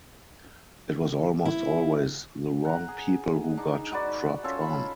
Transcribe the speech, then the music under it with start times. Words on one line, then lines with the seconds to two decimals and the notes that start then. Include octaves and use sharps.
It was almost always the wrong people who got dropped on.
1.45 E4
2.65 F#5 A#5
2.88 G#4
3.57 D4 D#4
3.92 D#4 F#4 B4 D5
4.44 C#4 F4 A4 C#5
4.61 B5